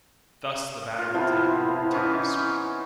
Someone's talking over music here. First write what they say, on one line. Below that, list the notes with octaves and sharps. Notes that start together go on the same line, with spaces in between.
Thus the batter will take a more protective swing.
F4
C3 F3 B3 E4
E3 C#4 D#4